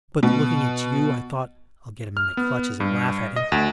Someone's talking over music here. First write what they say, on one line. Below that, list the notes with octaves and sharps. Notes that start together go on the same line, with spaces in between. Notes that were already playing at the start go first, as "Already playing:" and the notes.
But looking at you, I thought, I'll get him in my clutches and laugh at him.
B2
F6
B3
G2
D#5
D2